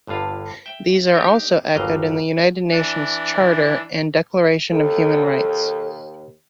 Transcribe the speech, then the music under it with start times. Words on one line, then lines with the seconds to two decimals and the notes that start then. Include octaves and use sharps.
These are also echoed in the United Nations Charter and Declaration of Human Rights.
0.07 G1 G2 D3 F4 F5
0.66 E5 G5
1.14 D4 D#4 G4 D#5
1.75 G1 D#2 F#3 G3 D#5 F5
2.71 E3 D4
4.69 D#2 A4